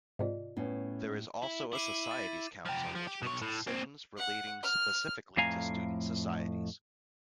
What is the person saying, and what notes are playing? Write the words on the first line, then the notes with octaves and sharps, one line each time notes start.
There is also a Societies Council which makes decisions relating specifically to student societies.
G#2 C3 F4 D5 D#5
A2 B3 C#4
E4
E4 D6 C7 D#7
A6
F3 G4
F3
G4
B2 C#5
A2
A#3 C4
F#5
F6
F2 A2 A3 F5 G#5 A#5